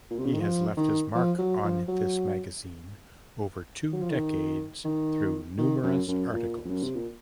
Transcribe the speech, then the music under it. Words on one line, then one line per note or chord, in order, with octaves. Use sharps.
He has left his mark on this magazine over two decades through numerous articles.
A#2
C3
C#3
D#3
F3
D#3
F3
F#3
F3
F#3
F#3
F3
D#3
D#3
D#3
F#2
F#2
A#2
F2
F#2
C3
A#2